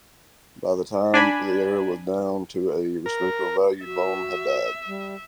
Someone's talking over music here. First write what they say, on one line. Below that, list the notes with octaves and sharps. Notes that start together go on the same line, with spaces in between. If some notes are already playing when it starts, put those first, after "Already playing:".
By the time the error was down to a respectable value, Bohm had died.
D4 G#5 B5
A#4
F#4 E5
G3